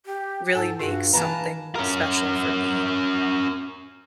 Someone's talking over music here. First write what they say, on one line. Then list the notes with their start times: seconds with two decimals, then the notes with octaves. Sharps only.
really makes something special for me.
0.06 G4
0.53 G#2 A4 F#5 G#5 A5
0.79 G2 F4 F#4 G#4
1.13 E3 B4 F5 A5 A#5
1.75 C#4 A#4